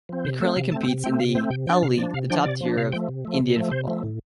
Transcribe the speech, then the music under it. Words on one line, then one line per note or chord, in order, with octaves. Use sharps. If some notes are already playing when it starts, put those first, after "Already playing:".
It currently competes in the I-League, the top tier of Indian football.
F3 C4
C3 C5
A3 C4 A4
C3 F5
A3 C4 A5
C3 G5
A3 C4 G5
C3 F5
A3 C4 C5
C3 G5
F3 D4 G5
C3 F5
F3 D4 D5
C3 F5
F3 D4 G5
C3 D5
F3 D4
C3 F5
F3 A3 G5
C3
F3 A3
C3
F3 A3
C3 C5
F3 A3
A2